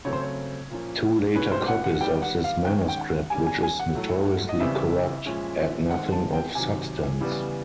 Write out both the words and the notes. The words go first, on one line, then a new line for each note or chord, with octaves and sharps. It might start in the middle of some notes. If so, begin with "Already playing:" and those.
Two later copies of this manuscript, which is notoriously corrupt, add nothing of substance.
C#3 F#3 A3 C4 C#5
C5
C#5
A#2 F3 A#3 C#4
B2 G#3 C#4 B4
C5
F#5
F#5
D#3 G3 B3 G5
F#5
F5
D#3 G#3 C#4 G5
G5
F#5
D#3 G3 A#3 C#4 G#5
G#5
G#5
F#5
A2 F#3 A3
D#5
C#3 E3 G3 C4 E5
A#2 F3 G#3 C#4
D#3 G#3 C4 F#5
A5
G5
C3 D#3 F#3 G#5
C#3 E3 G3 B3